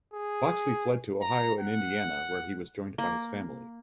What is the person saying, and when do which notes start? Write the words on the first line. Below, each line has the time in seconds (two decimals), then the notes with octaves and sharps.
Boxley fled to Ohio and Indiana, where he was joined by his family.
0.13 G#4
1.22 A#5
1.60 F#5
2.98 A#3